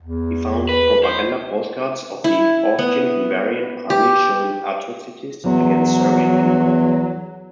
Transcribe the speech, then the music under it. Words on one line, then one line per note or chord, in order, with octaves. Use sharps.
He found propaganda postcards of the Austrian-Hungarian Army showing atrocities against Serbian people.
E2
B4
C5
E4
B3
G4
E2 F#3